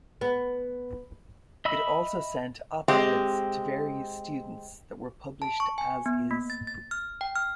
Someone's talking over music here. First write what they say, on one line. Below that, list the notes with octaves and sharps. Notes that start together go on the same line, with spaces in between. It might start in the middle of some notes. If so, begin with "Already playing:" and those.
It also sent op-eds to various students that were published as-is.
B3
D#5 E5 B5 E6
G#3 C4 G4
A5
C#6
G#5
B3
A#3
A6
A6
F6
G5
F6